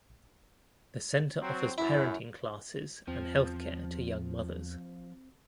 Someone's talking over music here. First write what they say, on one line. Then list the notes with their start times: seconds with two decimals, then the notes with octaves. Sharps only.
The centre offers parenting classes and health care to young mothers.
1.41 F#3 C4
1.78 F#2 E4
3.08 E2 F3 C4